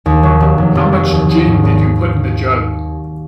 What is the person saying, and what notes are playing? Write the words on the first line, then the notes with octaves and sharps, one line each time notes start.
How much gin did you put in the jug?
D#2
F#3
F1
F1
F1
F#3
D#2
D#2
G#2
G#1